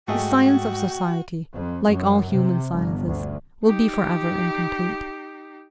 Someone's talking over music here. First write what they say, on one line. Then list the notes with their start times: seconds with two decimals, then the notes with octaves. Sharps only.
The science of society--like all human sciences--will be for ever incomplete.
0.08 G#2 A3 F#4 G#4 D#5 G5
1.53 F2
1.88 F#2
2.32 C3
2.72 G1
3.07 D2
3.64 D#4 G4